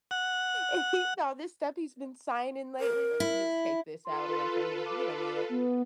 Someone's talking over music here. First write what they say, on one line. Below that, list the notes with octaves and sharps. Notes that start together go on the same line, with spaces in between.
if he saw this stuff he's been signing lately, let me just take this out away from you. You don't need it.
F#5
A#4
E4
F4 A4 B4 C6
D6
B3